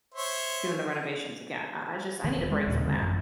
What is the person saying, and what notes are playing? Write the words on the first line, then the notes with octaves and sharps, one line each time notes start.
doing the renovations again, I I just I need a break from that.
C5 C#5 E5
D#3
E1
G#3
D#2 A#2 C#3
D3 G#3 C4
A1 F#2